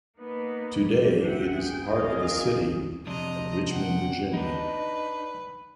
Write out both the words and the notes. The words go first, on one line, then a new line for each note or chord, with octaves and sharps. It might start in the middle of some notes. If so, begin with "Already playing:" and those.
Today, it is a part of the city of Richmond, Virginia.
A#3 B3 D#4 B4
F#3 G3 A3 D4
E5 F#5 G5
G#4 G5
C4 D4 G#4 A#4 D#5 F5
F2 C3 D4 D#5 A#5
F#5 G5
D4 D#4 B4